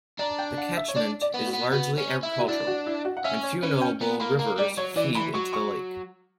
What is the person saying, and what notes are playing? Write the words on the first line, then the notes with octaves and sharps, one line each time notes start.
The catchment is largely agricultural, and few notable rivers feed into the lake.
D4 A#5
G5
F#5
E5
C#5
D4 D5
D5
B3
F#4
B3
B3 F#4
C#4
E4
F#4
D4 E4
F#4
E4
F#4
F#5
C#4 E5
C#5
C#4 B4
G5
B3 A#5
A#3 B5
A#3 A#5
G3 D5
F#3 C#5
E3 D5
E3 B5
F#3 C#6
C#6